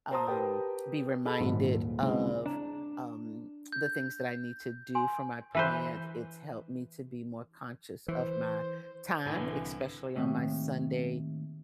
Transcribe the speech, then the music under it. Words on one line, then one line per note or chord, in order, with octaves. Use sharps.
um, be reminded of, um, the things that I need to do for my plant, it's helped me to be more conscious of my time, especially on my Sunday
C5 A5 A#5 C6 D#6
G4 A#4 B4 G5 A5
G#4 A4 D#5 A5 B5
A#1 G#2 D#3 F#3
D#1
C#3 G#3 C4 E4
D4 A#5
G6
G#5 C6
E3 B4 C5
E3 C5
C2 A2 D3 E3 G#5
D#2 A2 C3